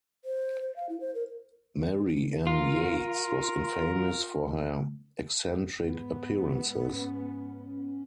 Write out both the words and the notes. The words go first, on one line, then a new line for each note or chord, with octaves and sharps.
Mary Ann Yates was infamous for her eccentric appearances.
C5
C5
F5
E4
C5
A#4
F4 A#4
G#2 B3
C#4